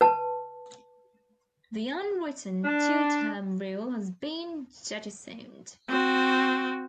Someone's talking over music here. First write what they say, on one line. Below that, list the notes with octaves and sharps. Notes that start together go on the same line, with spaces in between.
The unwritten "two term" rule has been jettisoned.
B4 A5
D4
C4 F#4